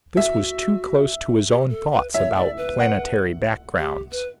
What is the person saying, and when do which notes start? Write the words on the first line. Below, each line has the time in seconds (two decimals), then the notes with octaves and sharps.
This was too close to his own thoughts about planetary backgrounds.
0.17 F#4 E5
1.48 G4
1.70 A4
1.92 B4
2.13 C#5 E5
2.36 D5
2.57 B4
2.80 F#5
3.78 G4
4.12 B4